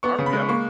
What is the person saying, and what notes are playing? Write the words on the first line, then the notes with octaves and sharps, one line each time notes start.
RnB, I don't
B3 C#6
C#3
B5
G#3
A#3 C#6